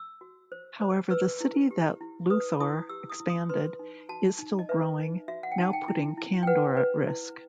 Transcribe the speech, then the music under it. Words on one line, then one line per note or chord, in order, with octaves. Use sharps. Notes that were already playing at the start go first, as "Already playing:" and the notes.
However the city that Luthor expanded is still growing, now putting Kandor at risk.
Already playing: E6
F#4
C5
C5
B4 E6
E4
G4
E4
B4 D#6
E4 D#6
G4 E6
D#6
E4
D#6
B4 C6
D#4
F#4 A5
D#4
D#5
B4 E5
D#4
F#4 E5
F#5
G5
D#4 A5
G5
E4
E4
G5
B4 F#5
B4
E4